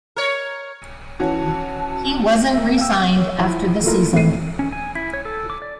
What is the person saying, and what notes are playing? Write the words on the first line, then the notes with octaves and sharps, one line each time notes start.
He wasn't re-signed after the season.
A#4 C#5
E3 C#4 F#4 A5
A#3 E5
F5 G5 E6
C#5
F3 E4
A3 A#3 E4 F4 A4 A#4
G#1 A2 A3 E4 C7 D#7
C#4
G#5
E4
C#5
A4
D6
D5